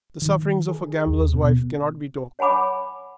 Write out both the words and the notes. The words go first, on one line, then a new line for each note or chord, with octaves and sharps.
The sufferings of a gambler's wife cannot be told.
D#3
G#4
D#2
B2
C#5 F#5 G#5 B5 D6